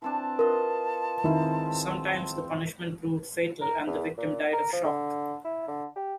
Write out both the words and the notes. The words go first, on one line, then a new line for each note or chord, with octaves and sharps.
Sometimes the punishment proved fatal and the victim died of shock.
E3 C4 D4 A5
F4 A#4 B4 D#5
D#3 G#3 C4 E4 F4
A#4
E2
A#2
A#4
F3
D3
E4
D3
G4